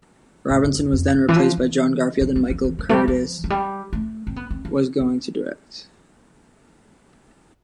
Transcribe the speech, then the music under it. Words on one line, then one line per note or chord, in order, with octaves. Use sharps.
Robinson was then replaced by John Garfield and Michael Curtiz was going to direct.
A2
G2
F2
F2
G2
E3
F3
E3
F3
G3
F3
E3
F3
A3
G3
F3
F3
G3
A3
C4
B3
C4
F3
G3